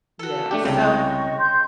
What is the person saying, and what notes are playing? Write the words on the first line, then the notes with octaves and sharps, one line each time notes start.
Yeah, so,
F#4 A4
A3 D4 G4
C2 C#3 G5
D#5 C#6
C6 G6